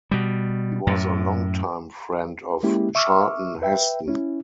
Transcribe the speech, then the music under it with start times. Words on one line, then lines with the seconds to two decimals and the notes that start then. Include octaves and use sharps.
He was a long-time friend of Charlton Heston.
0.11 B2 G3
0.87 F#2 A2
2.63 G#3 A#3 C#4 E4 G4
2.95 E5 C#6 D6 E6 F6
3.62 B4 E5 G5
4.08 C#4 E4